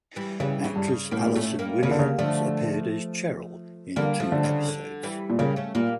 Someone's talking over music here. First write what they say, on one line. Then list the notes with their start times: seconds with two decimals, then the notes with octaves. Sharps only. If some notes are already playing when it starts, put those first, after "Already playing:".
Actress Allison Williams appeared as Cheryl in two episodes.
0.16 E3 G3
0.40 C#3 E3 G3
0.64 C#3 E3
0.76 G2
0.88 C#3
1.11 A2 G3 A#3
1.24 A#2
1.35 A2 A3 C#4
1.59 G3 A#3
1.83 C#3 G3 A#3
1.91 D3
1.99 C#3
2.18 D3 F3 A3
3.96 D3 G3 A#3
4.20 F3 A3
4.32 D3
4.44 C#3
4.68 D3
5.03 E3 G3
5.30 A#2
5.39 C#3 G3 A#3
5.56 A3 C#4
5.75 A#2 G3 A#3